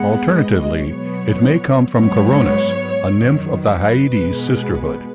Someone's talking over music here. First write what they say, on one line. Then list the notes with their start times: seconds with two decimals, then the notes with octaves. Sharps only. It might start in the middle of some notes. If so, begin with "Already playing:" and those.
Alternatively, it may come from Coronis, a nymph of the Hyades sisterhood.
Already playing: G#2 G#3 B3 F#5
0.31 D#5
0.86 B2 F#3 B3 C#5
1.96 G#2 F#3 B3 C#5
3.05 F#2 D#3 F#3
3.61 B4
4.16 B2 G#3 B3